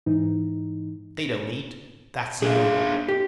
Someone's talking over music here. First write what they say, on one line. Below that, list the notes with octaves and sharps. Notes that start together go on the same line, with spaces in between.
They don't eat; that's noble.
G#2 E3 D#4
D4 F4 G#4 E5
G4